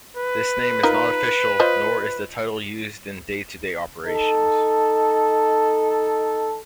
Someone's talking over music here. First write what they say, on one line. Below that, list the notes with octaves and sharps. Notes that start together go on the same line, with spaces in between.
This name is not official, nor is the title used in day-to-day operations.
B4
D#4 F4 A#4
F4 C5 D#5
D#4 A4